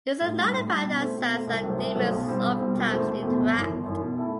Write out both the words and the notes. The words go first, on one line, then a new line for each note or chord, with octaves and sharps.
Is it not a fact that saints and demons ofttimes interact?
A2
G3 D4
A2
G3 D4
B2
A3 C4
B2
A3 C4
C2
C3 F#3 A3 C4
C2
C3 F#3 A3 C4
B1
B2 G3 C4
B1
B2 G3 C4
E1
E2 B2 A3 C4
E1
E2 B2 A3 C4
G1
F#2 E3
G1
F#2 E3
B2
A3 E4 A4